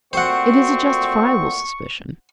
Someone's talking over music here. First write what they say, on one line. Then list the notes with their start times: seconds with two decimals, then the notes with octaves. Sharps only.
It is a justifiable suspicion.
0.13 A#2 A3 C4 F#4 C5 F#5 C#6